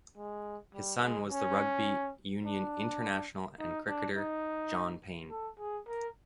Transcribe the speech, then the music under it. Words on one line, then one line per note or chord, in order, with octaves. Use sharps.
His son was the rugby union international and cricketer John Payne.
G#3
G3
G#3
C#4
D4
D#4
D4
D#4
A4
G#4
A#4